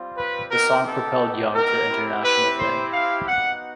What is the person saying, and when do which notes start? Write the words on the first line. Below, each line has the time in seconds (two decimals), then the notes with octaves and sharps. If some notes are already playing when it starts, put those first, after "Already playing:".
The song propelled Young to international fame.
Already playing: G3 C4 F4
0.17 B4
0.50 B3 D#4 G4 A#4
0.86 A4
1.54 A#4
1.89 C4 E4 G4
2.23 B4
2.58 C5
2.92 F5
3.27 B3 D#4 F#4 F#5